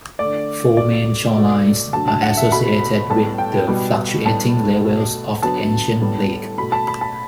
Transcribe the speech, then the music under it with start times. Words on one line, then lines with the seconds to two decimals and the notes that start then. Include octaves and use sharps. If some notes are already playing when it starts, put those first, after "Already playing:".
Four main shorelines are associated with the fluctuating levels of the ancient lake.
0.19 A3 D5
0.25 D3
0.77 B2 A3 D5
1.35 B2 A3
1.93 D3 F#3 A3 A5
2.08 A5
2.22 F#5
2.37 E5
2.52 B2 A3 B5
3.10 A2 G3 B3 A5
3.38 G5
3.68 B2 G3 B3
4.25 A2 G3 B3 A5
4.84 B2 A3
5.43 D3 F#3 B3 A5
6.00 A2 G3 B3
6.58 B2 A3 B5
6.72 A5
6.88 B5
7.01 A5